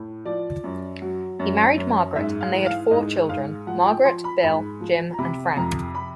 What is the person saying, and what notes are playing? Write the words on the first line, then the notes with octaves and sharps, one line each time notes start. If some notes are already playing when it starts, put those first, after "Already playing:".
He married Margaret and they had four children Margaret, Bill, Jim and Frank.
Already playing: A2
F3 D5
F#2
F#3
F#2
F#2
G#2 E5
F5
E3
F5
G#2 D#5
G#2 F5
F3 F#5
G5
F3 C6
B5
G#2 B5
F3
A#5
C3 B5
F2 A#5
B5